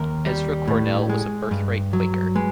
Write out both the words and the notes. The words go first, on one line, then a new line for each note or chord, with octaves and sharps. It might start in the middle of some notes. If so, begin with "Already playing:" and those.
Ezra Cornell was a birthright Quaker.
Already playing: D#2 A#4
G3
A2
G#3
G2
F#3
G#3 B4